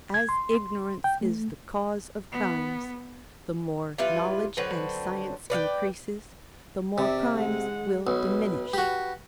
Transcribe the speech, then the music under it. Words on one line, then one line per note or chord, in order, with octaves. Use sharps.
As ignorance is the cause of crimes, the more knowledge and science increases, the more crimes will diminish.
G#6
C6
G5
A3
B3
G3 E4 F4 B4
D3 F#3 C4 B4
B4 D5 F5 G5
C3 D5 E5
G#3 F#5
B1 B4
F#4 G4